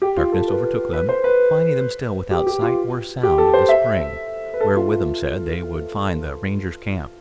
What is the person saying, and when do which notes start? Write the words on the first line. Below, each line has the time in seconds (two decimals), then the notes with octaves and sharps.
Darkness overtook them, finding them still without sight or sound of the Spring where Withem said they would find the Rangers' camp.
0.02 G4
0.17 F4
0.32 A4
0.48 B4
0.93 B4
1.09 C5
1.24 B4
2.31 G4
2.47 G4
2.62 F4
3.23 G4
3.38 A4
3.54 C5
3.69 E5
4.54 B4
4.60 A4
4.76 F4